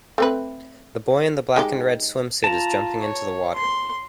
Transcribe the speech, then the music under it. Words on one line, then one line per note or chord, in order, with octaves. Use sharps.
The boy in the black and red swimsuit is jumping into the water.
A3 C4 B4
G#3 D#4 G4
F4 A5 A#5
C#5
C6